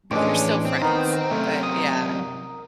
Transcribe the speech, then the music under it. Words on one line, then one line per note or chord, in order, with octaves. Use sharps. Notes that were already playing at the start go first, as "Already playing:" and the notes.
we're still friends, but yeah.
F2 A2 E3 G#3 C#4 D4 D6
C4
D#3 B3 D#4 A#4
F#2 C3 A3
D#6